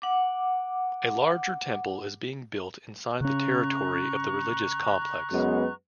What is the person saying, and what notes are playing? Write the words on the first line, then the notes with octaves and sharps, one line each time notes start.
A larger temple is being built inside the territory of the religious complex.
F#5 D6
C#3 C#4 A#5 C#6 F#6
F#2 G#3 B3